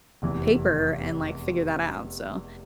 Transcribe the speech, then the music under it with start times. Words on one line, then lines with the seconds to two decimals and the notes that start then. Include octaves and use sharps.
paper and, like, figure that out." So
0.22 F1 E2 C3 E3